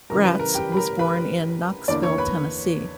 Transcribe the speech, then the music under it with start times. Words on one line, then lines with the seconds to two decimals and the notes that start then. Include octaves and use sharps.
Gratz was born in Knoxville, Tennessee.
0.10 C#3 E3 G3 A#4 A#5
0.25 B4 B5
0.39 A#4 A#5
0.55 G4 G5
0.72 B5
0.77 A#4 A#5
0.99 B4 B5
1.88 E2 D3 A#3 E4 D5 D6
2.03 C#5 C#6
2.18 B4 B5